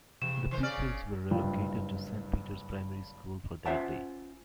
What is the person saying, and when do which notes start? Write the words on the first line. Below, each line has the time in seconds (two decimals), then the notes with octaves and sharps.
The pupils were relocated to Saint Peters Primary School for that day.
0.22 E2 C3 E7
0.51 D#3 C5
0.63 C#3 C#4 D5 F6
0.77 G1
1.31 F#1 G2 F4 D5 G5
3.66 C#4 F4 C5 E5 F#5 A5